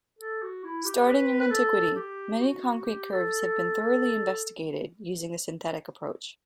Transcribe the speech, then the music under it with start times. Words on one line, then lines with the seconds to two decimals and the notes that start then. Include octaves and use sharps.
Starting in antiquity, many concrete curves have been thoroughly investigated using the synthetic approach.
0.19 A4
0.42 F#4
0.64 E4
0.85 G4
1.07 B4
1.41 B4
1.51 A4
1.96 G4
2.39 F#4
2.82 G4
3.12 A4
3.41 A4